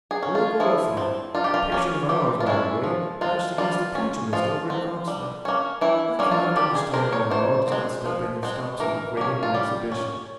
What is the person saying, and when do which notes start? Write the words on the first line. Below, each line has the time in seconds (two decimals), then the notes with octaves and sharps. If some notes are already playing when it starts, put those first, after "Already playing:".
A local ruffian, a patient of ours, by the way, matched against a pugilist over at Croxley. I cannot understand why the law does not step in and stop so degrading an exhibition.
0.11 G#4
0.23 C#4
0.35 F4
0.60 F3 E4
0.97 C4
1.35 G3 F4
1.44 G4
1.54 F4
1.72 A#3 C#4
2.09 E3 G4
2.40 F4
2.46 G#3 C#4 E4
2.84 F3
3.21 G#3 C4 F4
3.58 G3 F4
3.95 C#4
4.33 F3 F4
4.70 C4
5.08 G3
5.45 A#3 C#4
5.81 E3 E4
6.19 G3 A#3 C#4
6.26 E4
6.32 F4
6.56 G3 G4
6.75 G#4
6.93 C4 A#4
7.12 C#5
7.31 E3 C5
7.68 G#3 C4
8.05 F3
8.43 G#3 C4
8.80 E3 A#4
9.17 A#3 C#4
9.43 F4
9.54 G3 G4
9.92 C#4